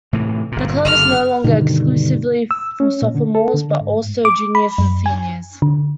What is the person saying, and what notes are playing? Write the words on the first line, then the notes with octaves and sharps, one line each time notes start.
The club is no longer exclusively for sophomores but also juniors and seniors.
A2 C3 E3
G1 A#2
F#1 A#2 D3 F6
G2 B2 D3 D#3
E6
C#4
A#2
D3
A4
D3
G#2
D6
B5
F#2
G#5
D3